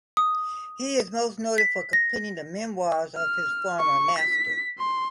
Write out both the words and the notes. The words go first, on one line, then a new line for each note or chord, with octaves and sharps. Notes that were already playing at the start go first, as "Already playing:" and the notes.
He is most noted for completing the memoirs of his former master.
D#6
B6
A#6
F6
C#6
B6
C6